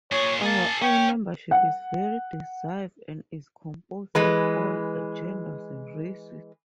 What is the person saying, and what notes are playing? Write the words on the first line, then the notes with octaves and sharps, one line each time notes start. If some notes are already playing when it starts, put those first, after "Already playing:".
Overall, membership is very diverse and is composed of all genders and races.
A#2 G#4 C#5
A#3 G#4 A5
C#4 G5
F#5
E3 G#3 B4